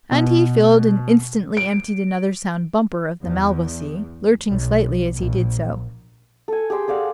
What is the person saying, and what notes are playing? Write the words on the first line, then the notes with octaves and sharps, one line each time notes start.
And he filled and instantly emptied another sound bumper of the Malvoisie, lurching slightly as he did so.
B2
D7
E2
B1
A#1
A4 G#5
G4 G#4 G5 C6
G#4 D5 F5 F#5